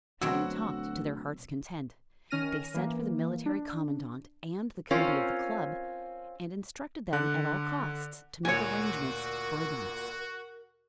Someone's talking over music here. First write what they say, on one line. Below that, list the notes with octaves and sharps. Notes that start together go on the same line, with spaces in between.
Having talked to their hearts' content, they sent for the Military Commandant and the committee of the club, and instructed them at all costs to make arrangements for a dance.
D2 B2 F#3 C4 F#4 F#5 E6
D#3 C#4 F6 A#6 D#7
E3 A#3
D4
C4 C#4 F4 A#4 C#5
D3 F#6
D2 A#2 F#4 A#4 C#5 G#5